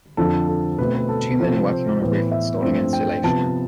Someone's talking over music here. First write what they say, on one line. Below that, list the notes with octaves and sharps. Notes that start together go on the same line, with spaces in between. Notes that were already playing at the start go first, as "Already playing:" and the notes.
Two men working on a roof installing insulation.
F2 D3 F3 C4 A4
A4
B2 A3 C4 B4
B4
A4
C3 F3 C4 A4
C5
A2 E3 B3
E5
G2 F3 A3 C4
G5
C3 F3 B3 A5